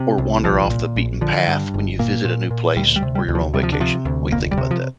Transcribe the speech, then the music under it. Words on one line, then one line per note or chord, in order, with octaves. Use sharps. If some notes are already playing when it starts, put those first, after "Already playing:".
or wander off the beaten path when you visit a new place or you're on vacation? What do you think about that?
Already playing: C3
C2
A#1 F3
A#2
A#1
D3 F3
G2
G1
A#2 A#3
A#2
A#2
D2 G3
G3
C3
G3
D2
F3
C3 G3
F3
D3
C3 F3
D2
F1 A#3
G3
C3
F3